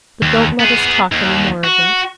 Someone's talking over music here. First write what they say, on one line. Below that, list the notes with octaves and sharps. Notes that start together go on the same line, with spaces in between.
"But don't let us talk any more of it."
D#2
B3 G#4
D#2
F#4